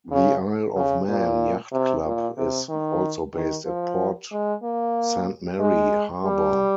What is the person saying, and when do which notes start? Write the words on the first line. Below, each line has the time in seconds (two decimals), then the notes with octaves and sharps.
The Isle of Man Yacht Club is also based at Port Saint Mary harbour.
0.12 C#3
0.76 C#3
1.08 A#2
1.72 C3
2.05 A#2
2.37 C3
2.69 D#3
3.34 D#3
3.66 F3
4.31 G#3
4.63 A#3
5.60 G#3
6.25 G3